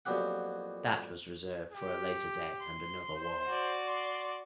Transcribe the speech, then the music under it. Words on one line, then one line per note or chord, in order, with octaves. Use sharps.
That was reserved for a later day and another war.
F2 A#2 F#3 B3 G4 F#5
G4
C6
C5
F#4 D5
C6